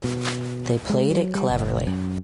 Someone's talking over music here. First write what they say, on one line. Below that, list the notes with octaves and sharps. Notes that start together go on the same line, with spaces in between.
They played it cleverly.
B2
G#3
F#3
G3
F#1
F#2